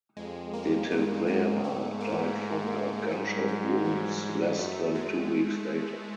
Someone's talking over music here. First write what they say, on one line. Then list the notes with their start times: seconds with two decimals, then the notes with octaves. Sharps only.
De Tavera died from her gunshot wounds less than two weeks later.
0.17 F2 G#3
0.53 A#3
0.90 G2 A#3
1.27 G#2 A#3
1.64 G#2 A3
2.00 A#3
3.10 G#2 G3
3.48 F#3
3.84 E3
4.57 F#2 A3
4.95 G#3